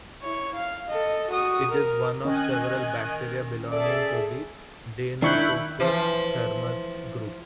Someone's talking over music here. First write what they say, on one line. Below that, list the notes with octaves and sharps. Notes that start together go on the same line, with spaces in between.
It is one of several bacteria belonging to the "Deinococcus-Thermus" group.
E4 C#5
F5
A4 D#5
F#4 D#6
A#4
D#3 C#4 D#5 G#5 F#6
G#4 A4 D5 E5
D#3 D4 E4 C#6 F#6 G6
E3 F3 C5